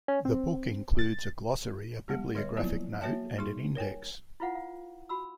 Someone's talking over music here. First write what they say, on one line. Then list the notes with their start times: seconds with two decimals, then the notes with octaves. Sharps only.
The book includes a glossary, a bibliographic note, and an index.
0.08 C#4
0.25 C4
0.99 A6
2.08 G3 G#3 B3 G4
2.35 D3 G3 C#5 D#5
2.57 F3 F#3 A#3 B3 E4 F4
3.01 A#3 F#4 C#5 E5 G5 A5
3.38 G3 D#4 G#4 C6
3.75 A#4 C#5 G5 G#5
4.40 E4 F4 B4 F5 F#5
4.55 F5
5.09 F#4 B5 E6